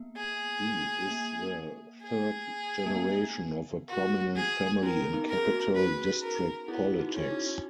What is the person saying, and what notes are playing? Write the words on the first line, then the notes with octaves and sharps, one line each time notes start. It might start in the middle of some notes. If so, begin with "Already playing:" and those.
He is the third generation of a prominent family in Capital District politics.
Already playing: A#3 B3
G#4
A#3
G#4
A#3
B3
F#4
G#4
C#4 A#4
C#4
B3 D#4
A#4
G#4
D#4 F#4
B4
A#4
B3 E4 G#4
D#4 F#4
C#4
D#4 F#4